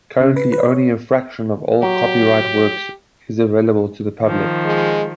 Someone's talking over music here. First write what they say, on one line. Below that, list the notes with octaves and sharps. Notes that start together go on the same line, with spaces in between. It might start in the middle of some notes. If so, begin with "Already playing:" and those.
Currently only a fraction of old copyrighted works is available to the public.
C#3
B4
B4
C#5
F#3 G4
D#3 F3
G#3